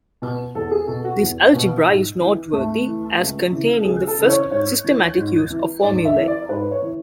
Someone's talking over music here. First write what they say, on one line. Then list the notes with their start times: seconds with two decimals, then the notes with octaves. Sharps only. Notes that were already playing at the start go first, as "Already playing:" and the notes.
This algebra is noteworthy as containing the first systematic use of formulae.
0.22 B2
0.55 E2 A4
0.71 G#4
0.87 B2 A4
1.04 F#4
1.21 E2
1.54 B2
1.87 G#2
2.20 E3
2.53 G#2 A3
2.86 E3
3.19 C#2
3.52 C#3 E3
3.85 C#2 G#4
4.07 A4
4.19 C#3 E3
4.29 C#5
4.51 G#2 C#5
4.84 E3
5.17 G#2
5.50 E3
5.83 G#2 D5
6.05 E5
6.16 E3
6.28 D5
6.49 G#2 B4
6.71 C#5
6.82 E3